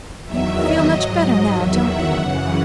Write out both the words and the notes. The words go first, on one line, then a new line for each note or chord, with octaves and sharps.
'You feel much better now, don't you?'
E2 D#3 F#3 E5
D#5
G#2 F#3
E2 D#3 F#3 E5
F#5
F#2 C#3 E3 F#5